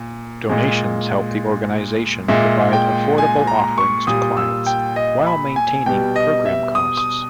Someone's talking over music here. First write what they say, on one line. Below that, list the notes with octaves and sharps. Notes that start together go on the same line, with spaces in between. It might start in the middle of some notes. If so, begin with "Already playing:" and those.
Donations help the organization provide affordable offerings to clients while maintaining program costs.
Already playing: A#2
A#2 G#3
A#2 G#3 E5
G5
G#5
A#5
C#6
A#2 G3 D#6
E6
G5
D#5
B5
G#5
B2 G3 G5
D#5
E5
D#6
D#6